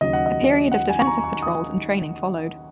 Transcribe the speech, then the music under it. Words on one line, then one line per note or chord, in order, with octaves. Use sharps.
A period of defensive patrols and training followed.
D#2 C#3 F#3 D#5
F#5
D#5
F#5
G#5
C#6
A#5
A#5
C#6
D#6